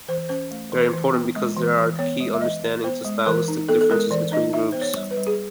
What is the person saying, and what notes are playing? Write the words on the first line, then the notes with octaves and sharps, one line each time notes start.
They are important because they are the key to understanding stylistic differences between groups.
E3 C5
C#4 C5
A3
E3
E3
B3
G#3
E3
E3
B3 C#5
G#3
E5
E3 D#5
E3
B3 C5
G#3
E3 A#4
D#4
B3 A4
A4
G#3 A#4
E3 D5
D#4 D#5
D#4 E5
B3 C5
C#5
G3
B4
G3
G#4